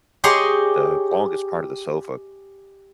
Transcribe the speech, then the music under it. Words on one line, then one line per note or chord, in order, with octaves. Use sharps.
the longest part of the sofa,
G4 G#4 C#5 D#5 A#5 C6